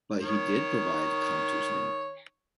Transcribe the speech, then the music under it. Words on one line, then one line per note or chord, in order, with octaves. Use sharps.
But he did provide Cantu's name.
D#3 C#5